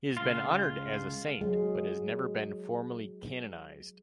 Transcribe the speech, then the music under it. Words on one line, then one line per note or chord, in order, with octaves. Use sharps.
He has been honored as a saint but has never been formally canonized.
C#2 F4
F#3 G#3